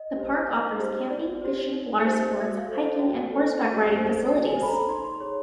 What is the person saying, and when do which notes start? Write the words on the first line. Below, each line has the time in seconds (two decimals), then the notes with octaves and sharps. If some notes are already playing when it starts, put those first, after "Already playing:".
The park offers camping, fishing, watersports, hiking and horseback riding facilities.
Already playing: D#5
0.15 G4 C5
0.48 D#4
0.78 G4 C5
1.10 D#4 D5
1.42 G4 C5
1.73 D#4
2.04 G4 C5
2.36 F#4 E5
2.57 F5
2.68 A4 C5
2.99 F#4 G5
3.31 A4 C5
3.63 F#4
3.94 A4 C5
4.26 F#4 A5
4.47 G#5
4.57 C5
4.62 A4 B5
4.68 A#5
4.89 D#4 C6
5.04 C6
5.20 G#4 C#5 C6